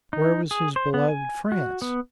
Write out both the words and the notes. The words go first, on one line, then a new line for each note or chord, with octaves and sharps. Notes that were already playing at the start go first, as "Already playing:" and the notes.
Where was his beloved France?
D#4
G#4
C5
B3
G#5
F#4
B3